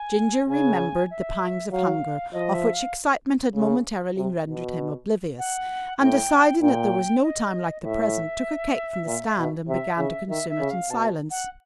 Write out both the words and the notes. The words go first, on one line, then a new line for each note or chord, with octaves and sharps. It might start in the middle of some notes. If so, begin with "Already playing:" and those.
Ginger remembered the pangs of hunger, of which excitement had momentarily rendered him oblivious, and, deciding that there was no time like the present, took a cake from the stand and began to consume it in silence.
Already playing: G#5
C#3 G#5
E5
F#3 F5
F3 D#5
E5
F5
C#3
C3
B2
F#5
A2 G5
A#2 G5
D#5
A2 E5
A#2
B2
C3 E5
C#3
D#3 E5
E5
C#3
F5
B2 A5
F#5